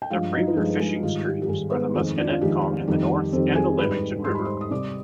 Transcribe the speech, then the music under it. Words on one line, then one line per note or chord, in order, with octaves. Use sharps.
The premier fishing streams are the Musconetcong in the north and the Lamington River.
G5
G2 F3 G#3 F4 F5
D#4 D#5
B4
G2 F3 G#3 G#4
B4
G#3 G#4
G#2 D#3 G3 F4
F4
G4
G4
G#2 D#3 G3 G#3 G#4
B3 B4
F2 D#3 G#3 C4 C5
D4 D5
F4
F2 D#3 G#3 G4
F2 D#3 G3
F2 D#3 G3 C4 C5
G#4 G#5
G#2 G3 B4 B5
G#2 G3 C6
B5
C5 C6
D#6
C3 G3 D5 D6